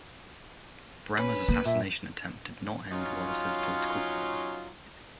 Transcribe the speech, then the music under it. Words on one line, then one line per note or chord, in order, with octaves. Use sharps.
Bremer's assassination attempt did not end Wallace's political career.
C#4 B4
G3 A#3
A#2 E5
F#3 C#4 D#4 F4